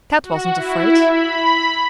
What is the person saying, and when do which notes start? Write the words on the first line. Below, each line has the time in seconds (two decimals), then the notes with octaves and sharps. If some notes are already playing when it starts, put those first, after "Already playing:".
Kat wasn't afraid.
0.23 F#4
0.55 E4
1.03 B5